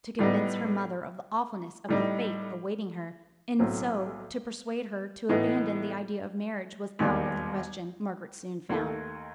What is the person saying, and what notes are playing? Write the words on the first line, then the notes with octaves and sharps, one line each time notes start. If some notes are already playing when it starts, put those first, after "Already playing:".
To convince her mother of the awfulness of the fate awaiting her, and so to persuade her to abandon the idea of marriage, was out of the question, Margaret soon found.
A2 G3 B3 D#4
A2 G3 D#4
B1 A2 F#3 C4
A2 E3 B3 D#4
E1 D#2 D#3 G3
D#2 D#3 A3